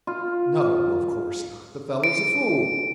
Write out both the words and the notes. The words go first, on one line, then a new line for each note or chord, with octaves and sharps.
"No, of course not; the fellow's a fool."
F4
D7